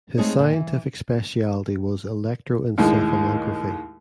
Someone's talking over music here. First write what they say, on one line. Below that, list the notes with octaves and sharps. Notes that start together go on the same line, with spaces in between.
His scientific specialty was electroencephalography.
G#3 A3 C4 D#4 G#4 C#5
A#2
E3
D#2 A2 G#3